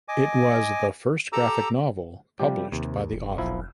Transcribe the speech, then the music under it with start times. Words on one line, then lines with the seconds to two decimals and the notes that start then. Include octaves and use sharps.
It was the first graphic novel published by the author.
0.08 D#5 G#5 D6
1.33 G4 A4 A#5 D6 E6
2.40 C3 F3 G3 G4
2.72 D#2 C3
3.12 F1
3.38 B1 F3 E4